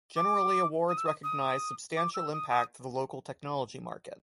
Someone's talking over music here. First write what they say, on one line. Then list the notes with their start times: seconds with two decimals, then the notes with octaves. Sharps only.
Generally awards recognise substantial impact to the local technology market.
0.16 D6
0.88 D#6
0.97 E6
1.06 D#6
1.23 D#6
1.96 D6
2.14 E6
2.32 D#6
2.51 D#6